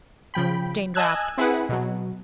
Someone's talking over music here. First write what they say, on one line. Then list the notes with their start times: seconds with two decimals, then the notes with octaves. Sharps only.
Jane dropped.
0.34 C#3 F3 G5 B5
0.95 D#5 G#5 A5 E6 F#6 G#6
1.37 C4 E4 G#4 B4 F#5
1.69 B2 F#3